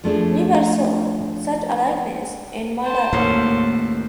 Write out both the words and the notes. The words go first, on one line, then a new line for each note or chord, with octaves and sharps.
Never saw such a likeness in my life!
F3 A3 D4 G#4
C5 A5
D#2 A2 A#3 C#4